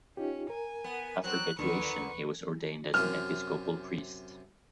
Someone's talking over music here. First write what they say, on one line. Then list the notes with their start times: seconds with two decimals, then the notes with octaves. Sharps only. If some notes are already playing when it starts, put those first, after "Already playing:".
After graduation, he was ordained as an Episcopal priest.
0.17 C#4 D#4 F4 G4
0.50 A#4 G#5
0.84 B3
1.24 F#3 C4 F#6
1.59 D#2 A#2 D3 B4 C#6
2.94 F#2 C3 F6